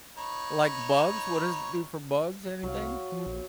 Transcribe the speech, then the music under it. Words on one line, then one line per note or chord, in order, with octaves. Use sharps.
Like bugs? What does it do for bugs? Anything?
D#4 C#5 B5
C2 F#3 F5
F3
A#1